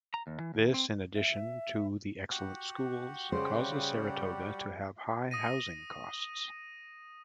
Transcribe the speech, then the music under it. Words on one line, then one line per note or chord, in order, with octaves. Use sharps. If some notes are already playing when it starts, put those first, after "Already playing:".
This, in addition to the excellent schools, causes Saratoga to have high housing costs.
A#5
D#2
E3
D#2
C4
E5
F#4 G4 F#5
C#3 G3 C5
D#6 A#6 D#7